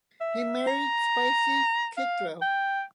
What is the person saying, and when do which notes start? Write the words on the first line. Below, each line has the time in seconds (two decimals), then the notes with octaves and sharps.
He married Spicy Kittrell.
0.21 E5
0.67 A#5
1.97 F5
2.42 G5